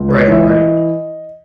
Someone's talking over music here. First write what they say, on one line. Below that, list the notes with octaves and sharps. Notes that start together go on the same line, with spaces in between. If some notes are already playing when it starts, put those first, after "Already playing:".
Right, right.
Already playing: C#2
B4
C#5
E3 E5
D#5